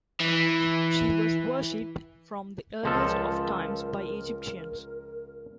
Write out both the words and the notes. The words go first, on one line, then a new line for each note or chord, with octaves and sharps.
She was worshipped from the earliest of times by Egyptians.
E3
C#2 F3 A4 A#4